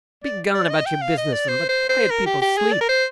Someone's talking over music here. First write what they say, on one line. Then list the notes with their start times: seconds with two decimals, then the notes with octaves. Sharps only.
"Begone about your business, and let quiet people sleep."
0.24 D5
0.54 D5
0.70 D#5
0.86 G5
1.02 F5
1.18 D#5
1.33 D5
1.48 C5
1.69 C5
1.89 C5
2.10 A#4
2.26 G4
2.42 G4
2.57 G#4
2.73 D5
2.81 A#4
2.89 C5